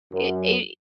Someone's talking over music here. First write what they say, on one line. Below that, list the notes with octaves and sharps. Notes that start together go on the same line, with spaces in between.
It it
F#2